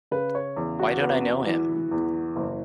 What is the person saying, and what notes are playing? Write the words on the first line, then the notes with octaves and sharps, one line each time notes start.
Why don't I know him?
C#3 B4
C#5
E2
F#4
B3
E3
E2
F#1